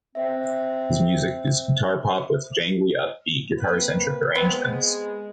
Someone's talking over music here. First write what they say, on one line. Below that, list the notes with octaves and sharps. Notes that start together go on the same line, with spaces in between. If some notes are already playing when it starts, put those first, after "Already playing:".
His music is guitar pop with jangly, upbeat, guitar-centric arrangements.
C4 C5 E5
A#3 C4 B4
G#3 B3 C4